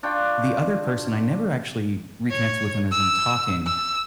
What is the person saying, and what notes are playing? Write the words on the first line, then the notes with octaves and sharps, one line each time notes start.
The other person, I never actually reconnected with him as in talking,
D4 F4 G5 C#6
C#5
E6
E6